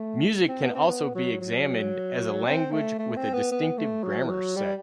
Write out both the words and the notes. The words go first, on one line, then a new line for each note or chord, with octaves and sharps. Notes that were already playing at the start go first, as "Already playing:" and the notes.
Music can also be examined as a language with a distinctive grammar set.
Already playing: A3
C4
B3
C4
B3
F#3
F#3
C4
A3
A3
C4
B3
B3
A3
F#3
E3
F#3
G3